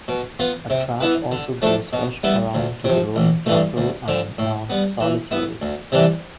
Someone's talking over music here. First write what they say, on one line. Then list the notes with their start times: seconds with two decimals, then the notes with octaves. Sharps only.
A track also goes west around to the Ruined Castle and Mount Solitary.
0.08 B2
0.39 B3 F4
0.70 C3
1.00 E3 B3 E4 B4
1.32 D3
1.62 F3 A3 D4 A4
1.93 B2
2.24 G3 B3 E4
2.54 D2
2.85 C3 F3
3.16 A1
3.46 G2 E3 A3
3.77 D2
4.08 D3 F3
4.38 A2
4.70 G3 B3
5.00 E3
5.31 B3 E4
5.62 D2
5.92 C3 E3 G3 D4